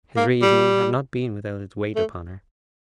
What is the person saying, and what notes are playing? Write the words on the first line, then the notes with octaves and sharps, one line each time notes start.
His reasoning had not been without its weight upon her.
A#3
G3
A3